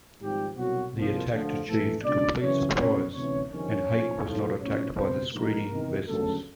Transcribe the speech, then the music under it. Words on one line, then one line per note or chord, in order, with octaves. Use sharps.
The attack achieved complete surprise and "Hake" was not attacked by the screening vessels.
G#1 G#2 F3 G3 G4
C2 B2 F#3 F#4
C2 A#2 F3
D2 D3 F3
A#1 A2 E3 A3 A4
C#2 B2 D4 D5
G#1 F#2 C#3 E3 C#4 C#5
C2 B2 C#4 C#5
D2 C3 E3 C#4 C#5
G1 F2 C3 D#3 C#4 C#5
B1 A#2 F3
B1 A2 F3
B1 A2 F3 C#4 C#5
C#2 B2 C4 C5
A#1 G#2 D#3 A#3 A#4
E2 C3 D#3
G1 F#2 C#3 A3 A4